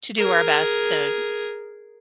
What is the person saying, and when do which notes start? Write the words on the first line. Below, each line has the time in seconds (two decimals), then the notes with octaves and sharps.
to do our best to
0.18 G#4 A#4